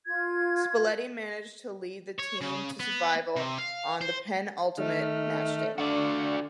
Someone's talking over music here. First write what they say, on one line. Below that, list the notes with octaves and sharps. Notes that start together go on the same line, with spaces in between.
Spalletti managed to lead the team to survival on the penultimate matchday.
F4 G#6
C#5
C#3
B3
C3
F5
C5
D#3 A3 D#4 F6
D3 D4 F#4 D5 F5 C#6